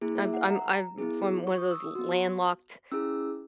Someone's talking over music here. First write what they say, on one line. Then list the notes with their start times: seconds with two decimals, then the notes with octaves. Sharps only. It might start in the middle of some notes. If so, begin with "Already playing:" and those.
I've I'm I'm from one of those landlocked,
0.01 A#3 E4 G#4
0.18 E5
0.34 F#5
0.50 A#5
0.98 B3 E4 G#4
1.47 C#6
1.58 D#6
1.71 E6
1.95 B3 F#4
2.92 C#4 E4 G#4 E6